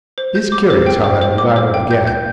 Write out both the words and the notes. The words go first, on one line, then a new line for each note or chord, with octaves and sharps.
It is curious how that revival began.
C5
G6
D6
C5
G5
C5
C5
D6
C5
G5
G6
G6